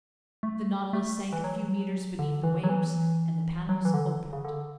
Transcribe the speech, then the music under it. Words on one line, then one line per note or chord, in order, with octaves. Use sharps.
The Nautilus sank a few meters beneath the waves, and the panels opened.
A3
A3
E3
F#3
D3
E3
F#3
E3
F#3
E3
D3
C#3
D3